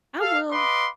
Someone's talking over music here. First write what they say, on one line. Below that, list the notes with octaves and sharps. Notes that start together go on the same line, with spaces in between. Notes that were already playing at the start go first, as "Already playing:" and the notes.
I will
A4 F5
B4 D#5 F5 B5 C6 D6